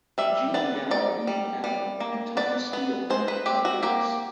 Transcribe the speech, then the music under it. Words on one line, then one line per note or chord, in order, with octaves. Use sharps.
Jean Gau in the Atom; and Tom Steele in the Adios.
G3 E5
B3 D5
D#4 D5
G3
G3
A#3
B3 D5
B3
G#3 C5
B4
C4 G4
F#4
A#3 G4